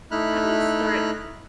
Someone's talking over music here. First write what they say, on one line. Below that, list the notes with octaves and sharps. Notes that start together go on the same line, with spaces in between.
I would start
A3 D#4 E4 B5 F6 F#6